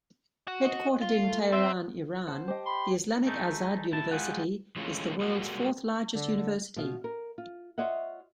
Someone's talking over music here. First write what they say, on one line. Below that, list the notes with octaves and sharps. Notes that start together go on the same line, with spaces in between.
Headquartered in Tehran, Iran, the Islamic Azad University is the world's fourth-largest university.
F#4
D#5
F4
A3
C4 E5
C5 F#5 A5
G4 C5 D#5 G5
B5 C6
G#3 A3 D#4
D2 E4 A5
G3 G#3 F4 G#4 F#5
E3 G#3 A3 C#4 F4
G3 G#3 A#3 F#4
D3
B2 F4 E5 F5
A#4
F4
F4 C#5 D#5 E5 F#5